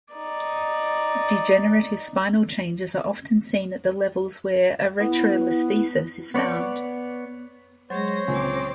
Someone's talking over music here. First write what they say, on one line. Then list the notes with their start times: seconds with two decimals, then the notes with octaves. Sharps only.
Degenerative spinal changes are often seen at the levels where a retrolisthesis is found.
0.14 D#4 D5
5.00 B3 E4
6.34 B3 C#5 D5
7.90 F#3 G#3 C5 C#5 A#6
8.28 C#2 A#2 C4 G#5 D6